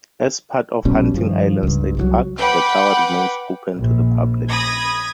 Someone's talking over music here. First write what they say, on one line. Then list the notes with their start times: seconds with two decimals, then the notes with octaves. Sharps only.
As part of Hunting Island State Park, the tower remains open to the public.
0.85 A#1 B2 G3 C#4
1.14 G2 D#3 F3
1.63 C#2 G2
1.97 C2 E3 F#3
2.37 B4 F#5 G5 B5 D6
3.76 A#1
4.49 B5 D#6 G#6 A#6